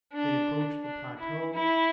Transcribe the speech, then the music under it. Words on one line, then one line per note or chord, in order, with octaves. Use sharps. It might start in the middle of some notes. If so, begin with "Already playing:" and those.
They approached the plateau.
D4
D4
E4
E4